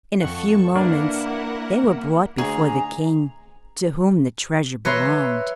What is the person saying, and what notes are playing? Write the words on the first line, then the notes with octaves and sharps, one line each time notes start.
In a few moments they were brought before the King to whom the treasure belonged.
F2 A4 F#5 C#6
A#3 D4 E4 A#4 B4 F5 F#5
D2 G#4 A#5
B4 C#5 E5 A#5 C6